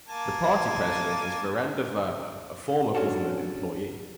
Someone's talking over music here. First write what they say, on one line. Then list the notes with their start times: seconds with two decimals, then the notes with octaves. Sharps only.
The party president is Virender Verma, a former government employee.
0.08 A#3 G#5 A5
2.95 C#4 D4 F#4 A4